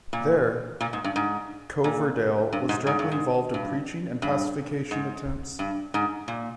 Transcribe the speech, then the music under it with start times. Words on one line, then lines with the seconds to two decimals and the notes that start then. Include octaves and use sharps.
There, Coverdale was directly involved in preaching and pacification attempts.
0.13 A#2
0.81 A#2
0.93 G#2
1.04 G2
1.16 G#2
1.84 A#2
2.53 G2
2.69 G#2
2.87 G#2
2.99 G2
3.12 G#2
3.54 G2
4.22 G2
4.91 G#2
5.59 G2
5.94 G#2
6.28 A#2